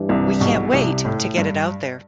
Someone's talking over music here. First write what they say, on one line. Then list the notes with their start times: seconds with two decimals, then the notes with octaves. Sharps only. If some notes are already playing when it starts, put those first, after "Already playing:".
We can't wait to get it out there.
Already playing: G2 E3 G3 D4
0.09 C2 C3
0.41 B1 B2
0.73 C2 C3
1.05 A2
1.37 G2